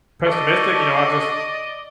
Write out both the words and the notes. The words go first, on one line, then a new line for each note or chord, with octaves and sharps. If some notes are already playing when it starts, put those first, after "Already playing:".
pessimistic, you know, I just
A4 D5 D#5 C#6